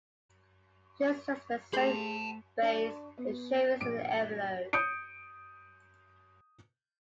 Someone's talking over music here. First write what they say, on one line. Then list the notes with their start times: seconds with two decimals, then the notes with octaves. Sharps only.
Schintzius then sent Bass the shavings in an envelope.
1.73 A3 G4 G#4 C5 A5 B5
2.62 D4 A5
3.18 B3
3.80 A#1 D6 D7
4.73 D#6 G6 C#7 D7